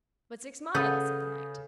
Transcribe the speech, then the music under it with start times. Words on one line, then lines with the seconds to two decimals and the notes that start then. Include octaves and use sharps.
But six mile, said the knight.
0.74 C#3 A4 B4 F#5 D#6 G6